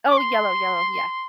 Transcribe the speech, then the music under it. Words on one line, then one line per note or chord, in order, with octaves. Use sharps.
Oh, yellow, yellow, yes.
D6
C6